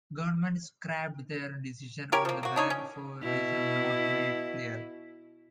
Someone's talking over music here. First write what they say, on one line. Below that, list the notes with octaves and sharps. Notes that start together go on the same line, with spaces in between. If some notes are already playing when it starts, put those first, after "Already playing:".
Government scrapped their decision on the ban for reasons not made clear.
C#4 G4 A#4 C#5
F3 A#3
A#3 F#4
D4 D#4 C#5
C#4
B2 E4